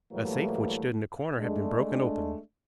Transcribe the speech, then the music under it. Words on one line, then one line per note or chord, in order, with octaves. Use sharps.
A safe which stood in a corner had been broken open.
A2 E3 F#3 G3 A3 A#3
G#3 A3 D4